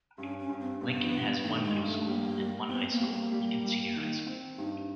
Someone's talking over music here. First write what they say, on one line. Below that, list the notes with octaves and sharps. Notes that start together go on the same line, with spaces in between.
Lincoln has one Middle School, and one high school, Lincoln Senior High School.
G2 C#4
C#4
G2
C4
G2 B3 C4
G2
D#3 A3
G#3
G2
A3
G3 A#3
G3
B3 C4
A#3
G3
A#3
G3
G3
D#3
C4
G2 D#4